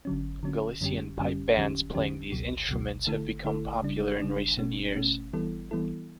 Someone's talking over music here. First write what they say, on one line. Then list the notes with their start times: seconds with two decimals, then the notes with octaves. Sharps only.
Galician pipe bands playing these instruments have become popular in recent years.
0.05 D3 F#3 C#4
0.43 D3 F#3 C#4
0.81 F#2 D3 G3 C#4 G4
1.19 F#2 D3 G3 C#4 G4
1.57 E2 D3 F#3 C#4 G4
1.94 E2 D3 F#3 C#4 G4
2.32 C#2 B2 F#3
2.69 C#2 B2 F#3
3.07 D3 A3 E4 A4
3.45 D3 A3 E4 A4
3.82 C#3 G3 D4
4.20 C#3 G3 D4
4.57 B2 A3 C#4
4.96 B2 A3 C#4
5.33 E3 G3 B3 E4 A4
5.71 E3 G3 B3 E4 A4